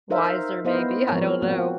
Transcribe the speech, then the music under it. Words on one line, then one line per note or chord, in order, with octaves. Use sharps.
wiser, maybe, I don't know
D#4 A#4 C5 E5 F5
B3 E4 C5 D#5 F5
F3 G#3 C4 A#4 C#5
F3 A#3 C4 F#4